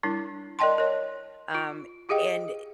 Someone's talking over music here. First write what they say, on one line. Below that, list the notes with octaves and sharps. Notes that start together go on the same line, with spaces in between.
um and
G3 D4 E4 A#4
A#4 D5 D#5 G5 A5 C6
A#4 C#5
F4
F4 G4 G#4 D#5 F5 G5